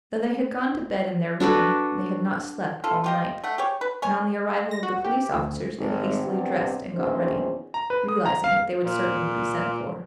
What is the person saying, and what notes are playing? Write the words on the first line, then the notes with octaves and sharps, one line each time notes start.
Though they had gone to bed in their room, they had not slept all night, and on the arrival of the police officers they hastily dressed and got ready, realizing that they would certainly be sent for.
D4 F#4 A4 B4
F4 A4
F4 G4 D#5
A3 F#5
G4 G#4 C#5
B4
C#5 G#5
A#6
F#4
G4
D2
G#1
G2 C3 B3 G4
A#1 E2 D#3 C#4 C5
A#5
B4
D#6
A#5
F5
A#2